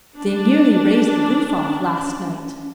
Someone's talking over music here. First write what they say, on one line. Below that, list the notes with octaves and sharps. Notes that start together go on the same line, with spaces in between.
They nearly raised the roof off last night.
C#4 D4